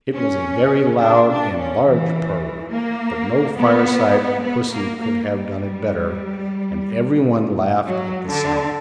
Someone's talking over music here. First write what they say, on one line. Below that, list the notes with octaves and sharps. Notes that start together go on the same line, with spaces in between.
It was a very loud and large purr, but no fireside pussy could have done it better, and every one laughed at the sound.
C#4
D4
D4
C#4
E3
A#3
B3
B3
A#3
A#3
G3
F#3
D3